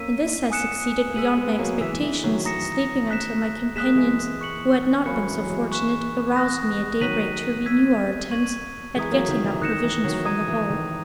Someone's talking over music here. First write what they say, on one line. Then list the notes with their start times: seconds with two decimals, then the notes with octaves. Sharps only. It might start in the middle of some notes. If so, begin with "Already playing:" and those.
In this I succeeded beyond my expectations, sleeping until my companions, who had not been so fortunate, aroused me at daybreak to renew our attempts at getting up provisions from the hull.
Already playing: A#3 C#4 E6 B6 D#7
0.50 G#5 D#6 F#6 C#7 E7
1.10 A#3
1.16 G#3 B3 E6 B6 D#7 F#7
1.37 G#3 B3
1.58 F#3 A#3
1.80 E3 G#3 E6 B6 E7
2.02 E3
2.23 D#3 F#3
2.45 A#5 D#6 A#6 C#7 E7
3.11 F#6 B6 E7
3.76 G#3 D#6 F#6 B6 E7
3.86 A#3
3.95 E3 G#3
4.41 C#6 F#6 C#7 F#7
5.06 F#3 A#3 G#5 B5 F#6 C#7
5.28 E3
5.39 F#3
5.49 E3 G#3
5.71 C#6 F#6 B6 E7
6.36 D#6 F#6 A#6
7.00 D#3 F#3 F#6 B6 D#7 F#7
7.66 E6 G#6 B6 D#7
8.31 C#6 G#6 D#7 F#7
8.96 E3 G#3 A#5 D#6 G#6 B6
9.12 F#3 A#3
9.28 D#3 F#3
9.44 E3
9.54 E3
9.61 D#3 D#6 F#6 A#6 C#7 E7
9.83 E3
10.04 D#3 F#3
10.25 A#5 D#6 G#6 D#7
10.48 E3
10.70 D#3